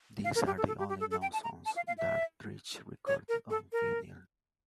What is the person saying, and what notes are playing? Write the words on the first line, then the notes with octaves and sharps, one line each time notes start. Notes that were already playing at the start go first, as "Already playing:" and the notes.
These are the only known songs Dandridge recorded on vinyl.
F5
A#4
G4
A4
A4
G4
G4
A4
A4
G5
A5
A#5
A5
F5
F5
E5
C#5
A#4
A4
A#4